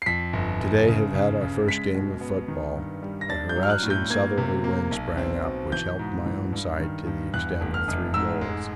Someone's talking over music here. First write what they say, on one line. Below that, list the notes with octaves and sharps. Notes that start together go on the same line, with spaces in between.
To-day have had our first game of football; a harassing southerly wind sprang up, which helped my own side to the extent of three goals.
C7
F2 B6
G1
G1
C#3
C#3
C#3
G#3 B6
B2
B3
D#3
G2
G3
A#6
D4 A6
G6
F#3
F6
F#6
A2
G6
A#3 G#6
C3
A#3
B1
C4
B2
E3 G6
G#2
E3
G2
D#3
G2
E2 F#6
F1
F6
F1
G#2 E6
G#3